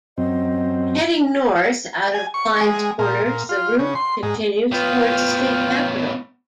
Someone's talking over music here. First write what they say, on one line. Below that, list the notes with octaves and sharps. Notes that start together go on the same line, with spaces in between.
Heading north out of Clines Corners, the route continues towards the state capital.
F#2 C4 D#5
G#5
C#6
G#3
A#2
A#2
F4
C#3
C6
G#2
A2 B3 F4 F5 G5